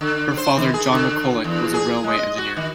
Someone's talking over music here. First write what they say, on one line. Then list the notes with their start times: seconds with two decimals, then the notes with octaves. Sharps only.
Her father, John McCulloch, was a railway engineer.
0.01 D3
0.37 C5
0.57 D#3
0.74 G#4
0.92 D3
1.44 E2
1.74 G#4
2.04 G#3
2.16 D#5
2.38 F#4
2.57 D#3